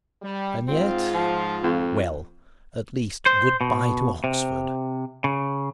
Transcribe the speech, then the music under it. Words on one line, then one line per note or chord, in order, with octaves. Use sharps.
And yet--well, at least, good-bye to Oxford!
G3
G#2 C4 F4
F3
F2
C5
B2
C3
C#3